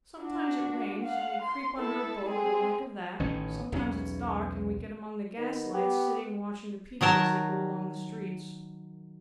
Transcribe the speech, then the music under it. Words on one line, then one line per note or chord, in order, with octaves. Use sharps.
'Sometimes it rains, and we creep under a boat or the like of that: sometimes it's dark, and we get among the gaslights, sitting watching the people as they go along the streets.
D4 F#4
F5 F#5
C6
E4 A4
C4 G#4
A1 D#3 C#4
B1 E2 C4 C#4
D#3 B3
B3 G4
D#3 F#3 A#4 A5